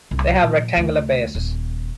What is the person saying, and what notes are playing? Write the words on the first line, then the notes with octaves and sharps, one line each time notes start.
They have rectangular bases.
C2 C4
A#2 F3
D2
D#1